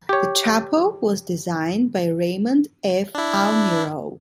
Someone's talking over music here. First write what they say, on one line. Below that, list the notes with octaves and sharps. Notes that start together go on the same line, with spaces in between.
The chapel was designed by Raymond F. Almirall.
G4 C#5
D4 E4